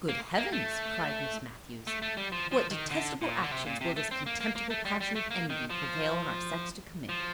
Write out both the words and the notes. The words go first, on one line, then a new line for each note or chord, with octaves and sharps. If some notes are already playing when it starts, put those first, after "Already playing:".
"Good heavens!" cried Miss Matthews; "what detestable actions will this contemptible passion of envy prevail on our sex to commit!"
A#3
A#3
A3
A3
A3
G3
F3
F3
D#3
D3
A#2
D3
C3
A#2
C3
A3
C4
A#3
A#3
A#3
A3
G3
G3
A3
A#3
D#3
F3
F3